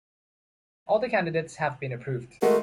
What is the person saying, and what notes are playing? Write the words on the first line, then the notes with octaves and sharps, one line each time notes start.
All the candidates have been approved.
G#3 A3 F#4 A#4